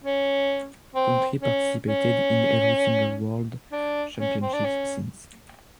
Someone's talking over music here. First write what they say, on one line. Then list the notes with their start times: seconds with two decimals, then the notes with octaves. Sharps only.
Country participated in every single world championships since.
0.03 C#4
0.95 C4
1.41 C#4
1.88 C#4
3.72 D4
4.19 C#4
4.42 C4
4.54 D4
4.65 C#4